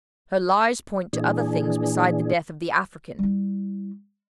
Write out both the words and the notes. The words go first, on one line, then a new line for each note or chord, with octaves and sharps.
Her lies point to other things besides the death of the African.
A#2 E3 D4 G#4
G3 E4